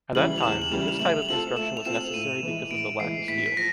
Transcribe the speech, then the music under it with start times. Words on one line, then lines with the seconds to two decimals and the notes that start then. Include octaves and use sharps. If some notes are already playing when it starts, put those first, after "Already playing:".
At that time, this type of construction was necessary because of the lack of steel.
0.15 C#3 E3 G3 F#7
0.38 F7
0.43 E2 E7
0.62 F#7
0.72 C#3 E3 G3 F7
0.88 F7
0.99 A3 F#7
1.22 F7
1.29 C4 F4 A4 F#7
1.57 A3 E7
1.77 F7
1.85 C4 F4 A4 E7
2.14 A2 D#7
2.43 E3 G#3
2.71 A2 D7
2.99 E3 G#3 C7
3.28 A2 B6
3.46 B6
3.57 F3 A#6